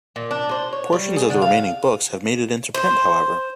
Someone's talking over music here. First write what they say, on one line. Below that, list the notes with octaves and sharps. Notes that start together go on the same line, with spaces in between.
Portions of the remaining books have made it into print, however.
A#2
D4
C5
C#5
G3
G#4
D3
F5
C5